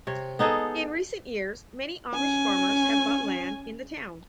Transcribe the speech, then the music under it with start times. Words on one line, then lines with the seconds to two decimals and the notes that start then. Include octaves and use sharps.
In recent years many Amish farmers have bought land in the town.
0.07 C3 C#5
0.39 B3 D#4 G#4 A4
2.15 C#4 G#5